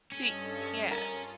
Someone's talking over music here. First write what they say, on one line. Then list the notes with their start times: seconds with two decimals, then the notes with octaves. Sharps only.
See yeah.
0.12 G2 C#4 A4 D#5
0.91 C#4 F4 A#4